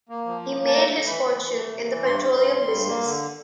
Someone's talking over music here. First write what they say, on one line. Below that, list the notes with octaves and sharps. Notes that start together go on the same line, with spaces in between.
He made his fortune in the petroleum business.
A#3
F3
A#3
A#3
A5
A3 A#5
A3
E3 B5
E3
E3
A3
C3
E3
G2 C6
G3
G2
G3
G2
A#3
D3